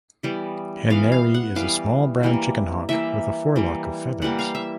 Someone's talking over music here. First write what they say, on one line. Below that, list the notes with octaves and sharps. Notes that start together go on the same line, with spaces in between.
Henery is a small, brown chickenhawk with a forelock of feathers.
E3 G3 B3
E3 G3 B3 F5
F5
F#5
E3 G3 B3 F5
E3 G3 A#3
E3 G3 A#3 E5
E3 G3 A#3
E3 G3 A#3 F#5
F5
E5